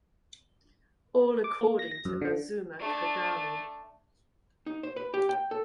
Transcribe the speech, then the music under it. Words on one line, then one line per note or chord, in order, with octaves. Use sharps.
All according to "Azuma Kagami".
D6
A#3
A#6
A#6
F#2
D3
A3 D4
D#4
C5
B4
G4
G5
A4